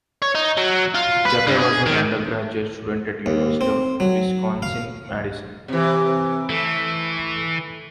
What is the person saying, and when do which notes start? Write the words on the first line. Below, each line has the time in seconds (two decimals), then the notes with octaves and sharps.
Jaffe was an undergraduate student at the University of Wisconsin–Madison.
0.22 C#5
0.35 D#4
0.58 F#3
0.95 F4
1.25 B4
1.47 G2
1.58 G#4
1.86 D#3
3.26 D#2
3.61 C4
4.00 F#3
4.62 F5
5.68 C3 E3
6.50 E3 A3